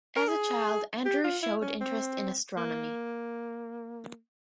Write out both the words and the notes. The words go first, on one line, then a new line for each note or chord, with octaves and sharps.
As a child Andrew showed interest in astronomy.
A#4
G#4
G4
F4
E4
C#4
C4
A#3